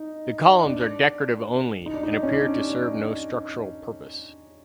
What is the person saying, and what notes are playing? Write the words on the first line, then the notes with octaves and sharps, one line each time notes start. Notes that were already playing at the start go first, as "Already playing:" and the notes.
The columns are decorative only, and appear to serve no structural purpose.
Already playing: D#4
D4
D#4
D4
D#4
C#4
D4